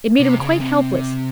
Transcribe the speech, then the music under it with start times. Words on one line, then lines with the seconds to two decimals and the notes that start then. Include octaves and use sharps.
It made him quite helpless.
0.19 C3
0.39 C#3
0.61 C3